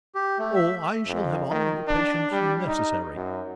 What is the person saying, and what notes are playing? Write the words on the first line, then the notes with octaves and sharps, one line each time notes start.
"Oh, I shall have all the patience necessary!"
G4
A3
E5
F2
D#3
D4
G3
D#4
F#2